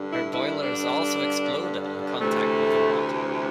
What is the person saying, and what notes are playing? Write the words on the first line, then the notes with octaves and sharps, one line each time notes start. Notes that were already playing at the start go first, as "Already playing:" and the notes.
Her boilers also exploded on contact with the water.
Already playing: G2 D3
E4
E4
D4
D2 C3 E3 A3